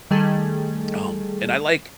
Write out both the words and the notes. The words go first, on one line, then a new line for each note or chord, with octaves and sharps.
Um, and I like
D#3 G3 A3 G#4 A4